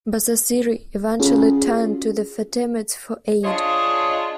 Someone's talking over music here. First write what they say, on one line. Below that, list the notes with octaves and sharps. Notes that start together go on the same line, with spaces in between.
Basasiri eventually turned to the Fatimids for aid.
C#4 F4 F#4 G#4 A4
D4 F4 G#4 C#5 D#5